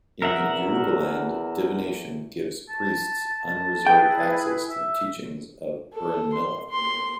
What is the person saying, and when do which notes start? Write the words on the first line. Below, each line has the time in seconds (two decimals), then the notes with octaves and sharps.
In Yorubaland, divination gives priests unreserved access to the teachings of Orunmila.
0.22 E2 A#4 E5 F#5
2.69 A5
3.86 E4 G#4 B4 G5
4.70 E5
5.93 A4
6.33 C6
6.70 C6